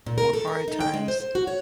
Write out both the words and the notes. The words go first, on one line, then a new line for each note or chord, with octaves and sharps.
or hard times
A#2
A#4
A4
A#4
D#4
G5
G#3
C5
C5
F#4
C#5